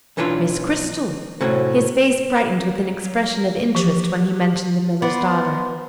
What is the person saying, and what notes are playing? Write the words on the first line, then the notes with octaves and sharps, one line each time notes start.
"Miss Cristel." His face brightened with an expression of interest when he mentioned the miller's daughter.
B1 E3 C#4 D4 F4
A2 C3 C#4 F#4
B5
F#3
E3 F3 G4
B3 B4 C5 D5